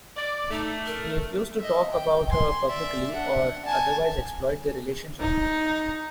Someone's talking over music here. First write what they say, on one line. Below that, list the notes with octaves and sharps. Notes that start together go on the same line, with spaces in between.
He refused to talk about her publicly or otherwise exploit their relationship.
D5 D6
A3 D#4
A#4
D#5 E5
G5
G#5 C6
D5 E5
D4 F#5
G#5 A5
D#4